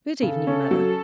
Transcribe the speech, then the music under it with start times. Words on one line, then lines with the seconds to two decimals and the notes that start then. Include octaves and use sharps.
'Good evening, Mother.'
0.23 C#3 A4
0.47 C#4
0.71 F#3